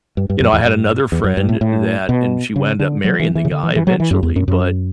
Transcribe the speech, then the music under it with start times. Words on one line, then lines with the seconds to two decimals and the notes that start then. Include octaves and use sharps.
you know, I had another friend that and she wound up marrying the guy eventually, but
0.17 G2
0.30 G2
0.40 F#2
0.53 E2
0.65 G2
1.12 E2
1.24 F#2
1.37 G2
1.49 A2
1.61 A2
2.09 B2
2.56 C#3
2.80 D3
3.04 F#3
3.20 E3
3.35 E3
3.45 C#3
3.51 D3
3.63 E3
3.76 E3
3.87 F#3
4.00 E3
4.11 F#2
4.23 E2
4.36 F#2
4.48 F#2